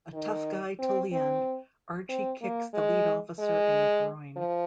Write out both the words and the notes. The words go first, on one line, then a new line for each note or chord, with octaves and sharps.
A tough guy till the end, Archie kicks the lead officer in the groin.
D#3
C4
C4
C4
A#3
G#3
G#3
F3